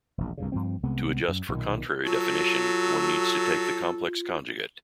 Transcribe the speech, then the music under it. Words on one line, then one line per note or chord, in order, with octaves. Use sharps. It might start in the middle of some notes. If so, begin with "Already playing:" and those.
To adjust for contrary definition, one needs to take the complex conjugate.
E1 A#1
C2 G2 C#3
G2 F3 C4
C2 C3 G#3 B3
F#2
B1 A#2 D#3
F#3 F4 A4